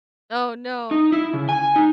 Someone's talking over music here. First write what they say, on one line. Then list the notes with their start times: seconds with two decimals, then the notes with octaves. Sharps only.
Oh, no.
0.91 D#4
1.12 E4
1.34 C#3
1.49 G#5
1.76 D#4